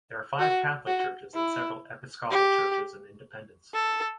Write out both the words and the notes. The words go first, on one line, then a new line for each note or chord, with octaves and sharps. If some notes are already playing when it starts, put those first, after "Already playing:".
There are five Catholic churches and several Episcopal churches in Independence.
F#4
F#4
E4
G4
A4